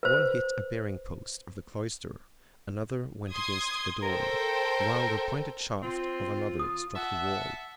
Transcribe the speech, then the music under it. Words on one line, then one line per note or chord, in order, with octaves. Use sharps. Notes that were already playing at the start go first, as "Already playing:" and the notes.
One hit a bearing-post of the cloister; another went against the door; while the pointed shaft of another struck the wall.
B4 C5
C6 D#6 G#6
A4 A#4 C5 G5
C4 F4
D#6
E5 F#5 A5